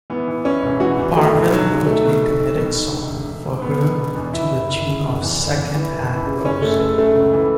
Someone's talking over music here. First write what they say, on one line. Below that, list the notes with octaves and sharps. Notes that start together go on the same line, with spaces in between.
Parvin wrote a comedic song for her to the tune of "Second Hand Rose".
E3 B3
E3
E3 C#4
E1
E3 F#4
E2
E3 A3
E1
B1 F#3
B1
B1 A3
B2
B1
B1
B2
B1
E1
E1
E1
E1
E1 B3
E1
B2
E2
E2 E4
F#1
F#1
C#3
F#1
E2
F#1
E2
E3
F#1
E3
C#3
F#1 C#4
F#1 A3
C#3 A3
F#2 A3
C#2
E3